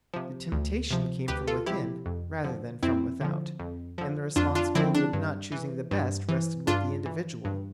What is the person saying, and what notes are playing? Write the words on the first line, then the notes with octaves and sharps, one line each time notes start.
The temptation came from within rather than from without, and the responsibility of not choosing the best rested with the individual.
C3 F3
D2
C3 F3
D2 G4 B4
F4 A4
C3 F3 E4 G4
F2
D3 F3
F2 C4 E4
D3 F3
F2
D3 F3
F2 D4 F4
D4 F4
D3 F3 C4 E4
D4
G2
E3
G2
E3
G2 D4 F4
E3
G2